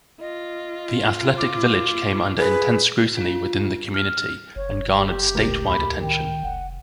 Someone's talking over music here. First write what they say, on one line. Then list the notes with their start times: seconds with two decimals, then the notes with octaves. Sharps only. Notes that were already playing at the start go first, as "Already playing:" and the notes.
The athletic village came under intense scrutiny within the community and garnered statewide attention.
0.21 F4 D#5
1.38 D6
2.38 G#4 B4
3.17 F4
3.94 F6
4.56 F#1 C#5
4.97 G4
5.35 C#2 A2 A#4
5.67 D#2 B5
6.03 D#3 G5
6.44 F1 F#5